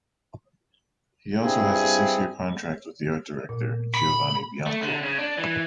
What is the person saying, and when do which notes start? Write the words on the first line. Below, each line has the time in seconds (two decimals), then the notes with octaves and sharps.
He also has a six-year contract with the art director, Giovanni Bianco.
1.42 G2 G3 C4 E4 G#4
3.49 A#2
3.95 B5
4.66 A3
4.82 D3
5.03 C#3
5.18 D4
5.38 E3